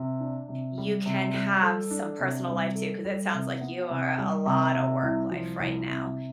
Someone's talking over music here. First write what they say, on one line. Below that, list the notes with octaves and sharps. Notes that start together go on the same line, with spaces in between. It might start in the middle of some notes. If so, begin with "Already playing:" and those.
you can have some personal life, too, 'cause it sounds like you are a lot of work-life right now.
Already playing: C3
D4
C3
G3
C3
G3
A4
D4
C3
G3
A4
G3
C3
B3
C3
G3
C3
C3
C2
F3
C2
C3